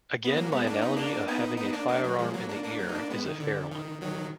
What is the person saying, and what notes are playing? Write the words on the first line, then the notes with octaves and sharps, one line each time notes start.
Again my analogy of having a firearm in the ear is a fair one.
B3
F#3 A#3
G#3 B3
A#3 D4
B3 D#4
A#3 D4
B3 D#4
B3 D#4
A#3 D4
A#3 D4
F#3 A#3
F3 G#3
F#3 A#3
A#3 D4
A#3 D4
F#3 A#3
D#4
A#3 D4
G#3 B3
D#3
D3
D#3
D#3 F#3